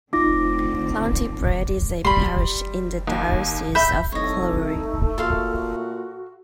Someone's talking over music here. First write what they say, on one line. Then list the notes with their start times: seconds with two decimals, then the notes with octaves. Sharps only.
Clontibret is a parish in the Diocese of Clogher.
0.13 D3 A3 C4 D#4 F4 D6 A#6
2.05 G3 B5 C6
3.07 D#2
3.75 E5 B5 G6
4.12 C2 A3 D#4 C#5 D#5
5.18 A#2 F#4 A4 F5 C6